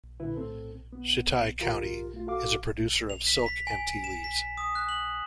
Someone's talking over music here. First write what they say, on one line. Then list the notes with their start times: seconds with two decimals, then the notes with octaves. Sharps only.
Shitai County is a producer of silk and tea leaves.
0.20 G2 A#2 D3 E4 B4
0.37 A2 C4 A4
0.93 B3
1.59 D#2 G#2 F4 G4 A#4
2.14 A3 F4
2.27 F#4 A4 F5 D6
3.10 F7
3.27 B6
3.46 B6
3.67 G#5
4.04 E7
4.24 B6
4.57 D#6
4.75 F#6
4.89 F#7